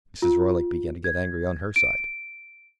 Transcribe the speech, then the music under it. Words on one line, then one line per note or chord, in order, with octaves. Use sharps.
Mrs. Roylake began to get angry, on her side.
F4
G#6
D7